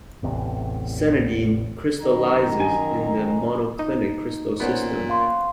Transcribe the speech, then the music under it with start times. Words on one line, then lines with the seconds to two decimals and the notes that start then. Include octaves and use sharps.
Sanidine crystallizes in the monoclinic crystal system.
0.23 A1 E2 C3
2.02 F#2 D#3 D#4 A#5
2.60 D#5 G#5
3.79 D#4
4.60 A#2 B3 C#4 C5
5.09 F5 C6 C#6